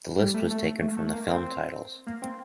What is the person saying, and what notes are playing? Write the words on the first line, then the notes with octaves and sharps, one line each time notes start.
The list was taken from the film titles.
G3
A3
A3
A3
A3
A#3
C4
A#3
C4